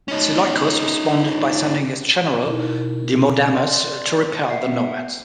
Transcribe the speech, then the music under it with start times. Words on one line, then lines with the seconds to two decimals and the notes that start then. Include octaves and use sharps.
Seleucus responded by sending his general Demodamas to repel the nomads.
0.08 C#4 D#4
2.46 B2 D#4 E4 A#4
3.54 D5 C6
4.50 E5 F#5 C7